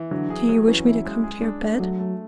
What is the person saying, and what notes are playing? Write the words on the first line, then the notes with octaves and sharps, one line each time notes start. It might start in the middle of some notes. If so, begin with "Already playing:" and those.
"Do you wish me to come to your bed?"
Already playing: E3
D3 F#3
G#4
F#3
E3 C#4
E4
G#3
G#4
D4
A3
F#3 A3
A3